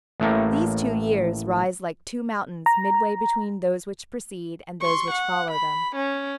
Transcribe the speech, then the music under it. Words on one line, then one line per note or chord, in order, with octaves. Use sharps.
These two years rise like two mountains midway between those which precede and those which follow them.
A1 A2 A3 A#3
A#5
C6 C#6
F#5
B5
C#4